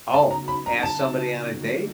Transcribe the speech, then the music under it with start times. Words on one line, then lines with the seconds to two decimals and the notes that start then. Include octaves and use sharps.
Oh, ask somebody on a date?
0.13 C#3 F#3 B3 D#4 F#4 A5
0.31 A#5
0.48 B5
0.66 A#5
0.83 A5
1.53 D3 G3 A#3 D#4 F#4